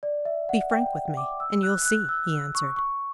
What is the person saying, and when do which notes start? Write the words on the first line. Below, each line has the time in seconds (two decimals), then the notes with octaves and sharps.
"Be frank with me and you'll see," he answered.
0.03 D5
0.25 E5
0.49 F#5
0.71 G5
1.17 D6
1.40 E6
1.63 F#6
1.85 F#6
2.09 E6
2.55 C#6
2.76 C#6